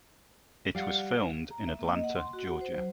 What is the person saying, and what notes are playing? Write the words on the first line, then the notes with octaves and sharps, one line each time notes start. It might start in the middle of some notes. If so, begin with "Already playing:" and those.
It was filmed in Atlanta, Georgia.
G3 D5 F5 F#5
A#5
E5
A#3
D#5
F#5
C6
F#4
F#5
C5
F#3